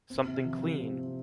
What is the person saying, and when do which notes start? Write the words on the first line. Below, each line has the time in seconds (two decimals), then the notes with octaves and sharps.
Something clean!
0.10 C4
0.27 C3
0.45 F3
0.62 G4
0.79 C4
0.97 C3